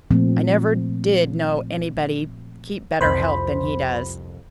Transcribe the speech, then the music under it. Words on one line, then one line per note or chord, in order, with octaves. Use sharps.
I never did know anybody keep better health than he does.
A#2 F3 A3 C4
C2 F2 C5 B5